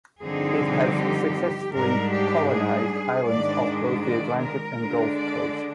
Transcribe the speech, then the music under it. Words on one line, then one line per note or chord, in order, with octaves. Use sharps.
It has successfully colonized islands off both the Atlantic and Gulf coasts.
G2 D3 F3 C4 D#4 G#4
G4
G#2 G3 D4 A#4
G4
G#4
G#2 D#3 G#3 D4 D5
D5
A#4
D3 G#3 D4
D5